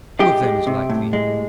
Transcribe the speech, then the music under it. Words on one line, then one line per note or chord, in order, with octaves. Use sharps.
Who of them is like thee?
G#3 G4
G#3
C3
A2
G#3